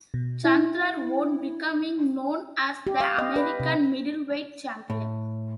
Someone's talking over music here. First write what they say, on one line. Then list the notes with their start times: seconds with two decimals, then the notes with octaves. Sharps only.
Chandler won, becoming known as the American middleweight champion.
0.14 B2
0.44 E4
2.87 G4
3.00 F5
3.18 D#5
3.36 B4
3.60 C3
4.90 A2